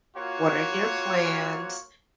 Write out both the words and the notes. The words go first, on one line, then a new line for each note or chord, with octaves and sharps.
What are your plans?
A#3 F4 F#4 C#5